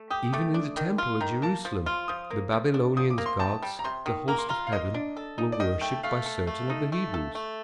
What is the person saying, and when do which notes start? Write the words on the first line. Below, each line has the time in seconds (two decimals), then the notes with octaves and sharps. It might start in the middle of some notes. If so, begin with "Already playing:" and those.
Even in the temple at Jerusalem the Babylonians' gods, the host of heaven, were worshipped by certain of the Hebrews.
Already playing: A3
0.10 G4 D#6
0.33 A3 D6
0.54 D4
0.77 D#3
0.98 F4
1.21 D#3 A#5
1.42 A#3 A5
1.65 F3
1.86 F4 C6
2.08 F3 D#6
2.30 A#3
2.52 F3
2.74 D4
2.97 F3 D#6
3.10 D6
3.18 A#3
3.26 C6
3.40 C3 A5
3.62 G3
3.79 A#5
3.84 C3 C6
4.06 D#3
4.28 A#3 A#5
4.38 C6
4.49 F4 A#5
4.67 F5
4.72 A#3 D#5
4.94 D4
5.17 A4
5.38 D#4
5.52 D5
5.60 D#3 D#5
5.81 A3 G5
6.03 A3 F5
6.26 A4
6.47 A3
6.70 D#4
6.92 A3
7.14 A4
7.35 A3